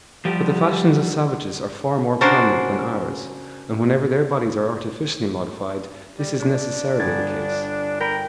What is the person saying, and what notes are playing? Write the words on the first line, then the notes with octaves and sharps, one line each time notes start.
But the fashions of savages are far more permanent than ours; and whenever their bodies are artificially modified, this is necessarily the case.
F3 G3 G4
C#3 D4 F#4 A#4 C5
G3
D4
G1 G#6 A6
A#4 G5 B5